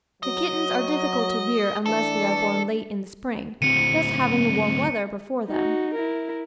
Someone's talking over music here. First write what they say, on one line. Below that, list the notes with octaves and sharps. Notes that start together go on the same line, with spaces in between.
The kittens are difficult to rear unless they are born late in the spring, thus having the warm weather before them.
F#3 D#5
E3 A3 D4 A4
D2 C4 C#7 D#7
D#4 F#4
E4 A#4